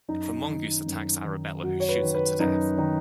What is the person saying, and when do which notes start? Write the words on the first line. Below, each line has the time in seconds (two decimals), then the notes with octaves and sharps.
The mongoose attacks Arabella who shoots it to death.
0.08 F#2 D#4
0.47 D#3
0.86 F#2
1.24 D#3
1.63 F#2 F#4
1.80 C#5
1.89 B4
2.01 D#3
2.14 B4
2.40 F#2 D#4
2.78 D#3 D#4